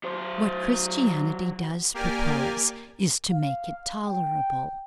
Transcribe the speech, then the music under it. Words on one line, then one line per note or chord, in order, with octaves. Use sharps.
What Christianity does propose is to make it tolerable.
F#3 C5
A#3 G4 A#4 D5 G#5
F5
G5